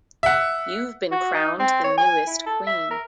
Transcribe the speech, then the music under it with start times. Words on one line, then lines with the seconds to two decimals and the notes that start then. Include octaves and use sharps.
You've been crowned the newest queen.
0.23 E5 F#5
1.11 F#4
1.34 D#4
1.59 C4
1.84 C#5
1.98 G#5
2.27 E4
2.46 A4
2.67 E5
2.91 A#4